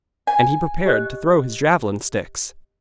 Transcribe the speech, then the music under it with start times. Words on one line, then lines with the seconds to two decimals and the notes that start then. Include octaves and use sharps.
And he prepared to throw his javelin-sticks.
0.27 G#5
0.86 G4 D#5 F#6